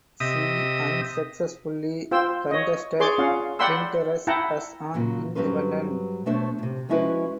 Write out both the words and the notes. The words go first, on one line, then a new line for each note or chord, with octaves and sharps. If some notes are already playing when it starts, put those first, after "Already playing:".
She unsuccessfully contested Flinders as an independent.
C3 D#5 E5 D#6
F4 C5 G5 E6
C#5 D#5
G#4 C#5 D5 C6 D6
C#4 F4 F5 F#5
D5 F#5 G5 B5 C6 E6
E4 F#5 G5 A5 A#5
A#2 C#3 F#3
G2 F#3 C#4 B4 C5
B2 A3 D4 C5 C#5
D#2 C3
F3 G#3 C#4 E4 F#4 B4